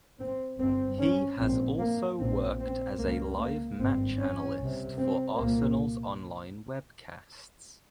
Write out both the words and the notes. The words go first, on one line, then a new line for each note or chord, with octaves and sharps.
He has also worked as a live match analyst for Arsenal's online webcasts.
C4
G1 G2 C4
C#4
A#1 G#2 C4
A#3
A#1 A#2 C4
C4
C#2 C#3 A#3
A#3
G#1 G2 C4
C#4
C2 C3
C4
C2 A#2 A#3